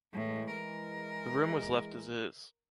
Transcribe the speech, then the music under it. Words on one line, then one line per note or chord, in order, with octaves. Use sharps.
The room was left as is.
A2 E3 G#3
A#4